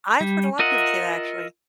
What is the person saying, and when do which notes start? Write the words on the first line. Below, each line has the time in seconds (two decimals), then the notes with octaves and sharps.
I've heard a lotta people say that, actually.
0.20 G3
0.59 F4 A#4 D#5 E5 F#5